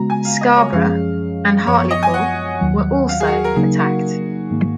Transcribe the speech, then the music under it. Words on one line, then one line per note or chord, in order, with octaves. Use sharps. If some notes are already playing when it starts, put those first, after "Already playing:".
Scarborough and Hartlepool were also attacked.
Already playing: C#3 G#3 B3 F#4 A#5
G#5
F5
D#5
C#5
F#2 F3 G#3 C#4 G#4 F5
F#2 F3 B3 C#5
C#5
D#5
G#5
F#5
D#2 D#3 F#3
F5
G#4
F#4
G#4
A#4
C#3 F#3 A#3 D#4 G#4 A#4
F#4
G#2 D#3 A#3